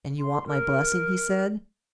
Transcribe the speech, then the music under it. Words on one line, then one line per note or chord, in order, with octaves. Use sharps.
"And you want my blessing?" he said.
C6
A#4